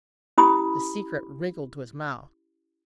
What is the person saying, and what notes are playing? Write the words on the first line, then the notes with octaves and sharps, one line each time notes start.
The secret wriggled to his mouth.
C#4 E4 G4 B5 D#6